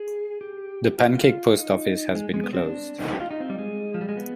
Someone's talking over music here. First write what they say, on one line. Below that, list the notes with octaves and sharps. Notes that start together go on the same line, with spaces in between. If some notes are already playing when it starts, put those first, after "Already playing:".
The Pancake Post Office has been closed.
Already playing: G#4
G4
F4
F4
D#4
G#3
G#3
B3
C4
D4
D#4
G4
F4
D#4
C4
G3
G#3
F3
G3
G#3
B3